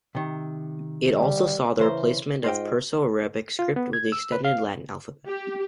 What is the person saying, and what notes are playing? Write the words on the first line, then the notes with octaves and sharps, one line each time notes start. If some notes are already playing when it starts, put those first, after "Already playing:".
It also saw the replacement of the Perso-Arabic script with the extended Latin alphabet.
C3 D#3
G3
C#3 E3 C5 A#5
G#2 F4 D#5 G5
F4
B3
G#6
E6
B4
F5
G4